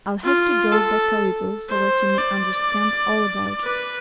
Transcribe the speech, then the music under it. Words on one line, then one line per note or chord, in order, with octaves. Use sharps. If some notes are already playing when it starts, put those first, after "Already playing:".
I'll have to go back a little so as you may understand all about it.
F4
A4
C5
D5
B4